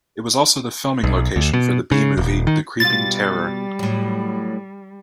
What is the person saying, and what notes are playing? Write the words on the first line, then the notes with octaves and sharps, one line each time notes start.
It was also the filming location for the B-movie "The Creeping Terror".
B1
D2
B2
C#3
D#1
D#3
B2 G3 F4 A6
A2 F#3